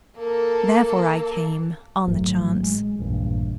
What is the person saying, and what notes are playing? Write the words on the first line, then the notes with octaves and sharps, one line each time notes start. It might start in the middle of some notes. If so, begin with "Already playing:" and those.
Therefore I came--on the chance.
A#3 A4
G#1 A2 F#3
G#3
A#1 E2 G2 A#2